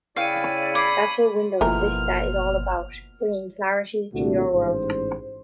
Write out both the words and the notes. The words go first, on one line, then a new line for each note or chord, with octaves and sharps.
That's what Windows Vista is all about: bringing clarity to your world.
C#3 E4 D5 F5 G5 C#6 C#7 D#7
B5 D6 G#6 C7
G1 B2 E3 F3 A3 A#3 A#4 F6
C2 A#2 D3 A3 F#4
A1 G#2 C5